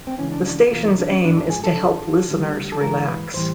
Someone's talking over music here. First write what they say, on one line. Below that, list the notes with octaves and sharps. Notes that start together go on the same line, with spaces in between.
The station's aim is to help listeners relax.
C4
C#2 C#3 E3 C#4
D4
D4
E2 B2 F#3 A#3 F4
D#4
D4
C#4
G#2 F3 G#3 D4
D4
G#4
A4
F2 D3 F3
D2 D3 G3
A4
G#2 E3 G#3 A#4
B4
A2 E3 G3 C5